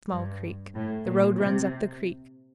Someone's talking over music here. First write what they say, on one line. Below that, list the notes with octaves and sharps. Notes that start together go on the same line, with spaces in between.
Small Creek.--The road runs up the creek.
G2
A2
A#2
C3